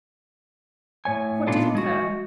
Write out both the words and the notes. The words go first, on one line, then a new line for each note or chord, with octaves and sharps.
What did occur?
A2 C#5 G#5
A#2 B3 D4 D#4 F4 A4
G#3 F#4